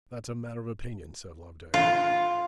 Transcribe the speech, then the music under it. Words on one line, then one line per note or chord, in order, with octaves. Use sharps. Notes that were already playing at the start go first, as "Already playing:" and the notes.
'That's a matter of opinion,' said Loveday.
F4